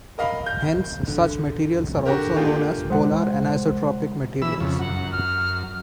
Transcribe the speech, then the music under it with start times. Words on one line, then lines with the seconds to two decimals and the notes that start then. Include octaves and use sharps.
Hence, such materials are also known as "polar anisotropic" materials.
0.18 A#4 D#5 F5 B5
0.46 G6
1.08 D3
2.05 D3 F#4 G4 A#4
2.36 A3 A#3 D4 F4 G4 G#4
2.90 C2 G#3 C5 F#5
4.42 E3 B5 E6
4.60 F2 C#3
4.79 F#2 F#5
5.12 F6